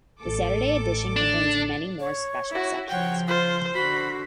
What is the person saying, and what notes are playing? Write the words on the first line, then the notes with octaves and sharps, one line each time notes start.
The Saturday edition contains many more special sections.
A1 A4 D6
D4
C#5
E4 F#4
C#3 F3 C#5 F#5 G5
F4 C5
D3 F#4 C5 B5